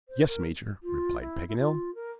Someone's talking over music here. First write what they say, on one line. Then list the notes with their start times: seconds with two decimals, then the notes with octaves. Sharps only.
"Yes, Major," replied Paganel.
0.09 C5
0.28 A#4
0.83 F4
1.20 E4
1.48 E4
1.57 F4
1.95 A#4